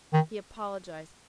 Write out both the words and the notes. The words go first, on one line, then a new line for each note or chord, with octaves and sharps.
He apologized.
D#3